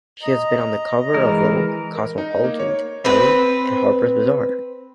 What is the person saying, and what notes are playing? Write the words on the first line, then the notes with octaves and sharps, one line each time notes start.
She has been on the cover of "Vogue", "Cosmopolitan", "Elle", and "Harper's Bazaar".
D#5 A#5
E3 G#3 A#4
A#4
D#4
A#3
C#5
C4 B4